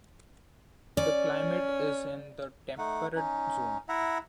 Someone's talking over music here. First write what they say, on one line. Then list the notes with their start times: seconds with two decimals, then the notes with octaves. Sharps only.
The climate is in the temperate zone.
0.97 C#4 D5
2.78 A3 D#4 F#5
3.15 C#4 D#4
3.89 E4 E5 F#5 A#5